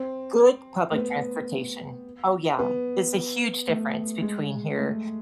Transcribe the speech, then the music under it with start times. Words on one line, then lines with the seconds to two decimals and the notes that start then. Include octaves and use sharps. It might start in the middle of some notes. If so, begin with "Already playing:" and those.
Good public transportation. Oh, yeah. It's a huge difference between here
Already playing: C4
0.91 A3
0.95 B3
2.59 B3
3.68 A3
4.22 G#3
4.76 A3